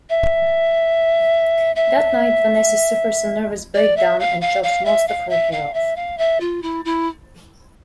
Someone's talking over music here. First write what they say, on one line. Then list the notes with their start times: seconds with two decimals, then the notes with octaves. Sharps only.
That night, Vanessa suffers a nervous breakdown and chops most of her hair off.
0.09 E5
1.75 E5
3.74 D5
3.96 E5
4.19 F5
4.41 F5
4.63 F5
4.85 E5
5.07 F5
5.29 E5
5.52 F5
5.74 E5
5.96 F5
6.18 E5
6.40 F4
6.62 E4
6.85 E4